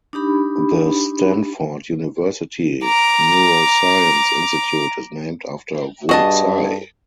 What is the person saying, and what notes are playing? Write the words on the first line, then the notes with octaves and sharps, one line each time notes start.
The Stanford University neuroscience institute is named after Wu Tsai.
D4 D#4 G4 B5
A#5 D6
G2 F#4 G#4 D#5 A5